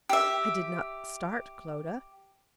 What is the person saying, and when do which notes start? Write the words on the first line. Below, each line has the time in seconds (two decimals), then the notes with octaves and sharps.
I did not start, Clodagh!
0.09 G4 E5